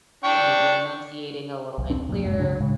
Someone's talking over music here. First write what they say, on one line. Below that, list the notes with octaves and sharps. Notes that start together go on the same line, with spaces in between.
maybe enunciating a little bit clearer,
D4 G5 C#6
B1
D#1 E2 C4 D4
C2 G2 A#2 F#3
F1 F#2 G#3
C#2 G#2 C#3 D4
A2 C#3 G#3